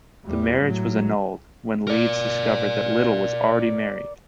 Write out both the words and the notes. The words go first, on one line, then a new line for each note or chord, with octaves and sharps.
The marriage was annulled when Leeds discovered that Little was already married.
E2 G3
A2 F#3
A#4 D5